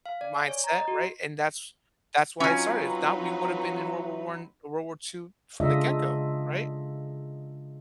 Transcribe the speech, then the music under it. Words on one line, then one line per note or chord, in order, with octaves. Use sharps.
mindset, right? And that's that's why it started. Now, we would have been in World War I World War II from the get go, right?
F5
D5
G#5
C#5
A#5
D#5
F#4
F#3 C4 C#4 D#4 F4 B4 G#5
C#3 G#3 D4 F4 D#5 E5